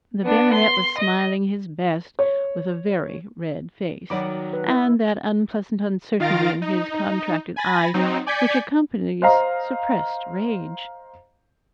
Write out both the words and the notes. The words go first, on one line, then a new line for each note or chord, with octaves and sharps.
The baronet was smiling his best, with a very red face, and that unpleasant uncertainty in his contracted eyes which accompanies suppressed rage.
B3 D4
C6
D#5
C#5
D#3 F#3 F#4 D5 B5 D6
B4
E4
D#3 F4 F5 A6 A#6 D7
D#4
G#5 B5 A6 A#6
F#3 C4 D#4
D5 G#5 G6 G#6 B6 C#7
C5 D#5 F5 A#5